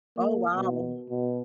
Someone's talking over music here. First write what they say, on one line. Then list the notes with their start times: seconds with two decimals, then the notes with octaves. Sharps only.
Oh, wow.
0.17 A#3
0.55 B2
1.10 B2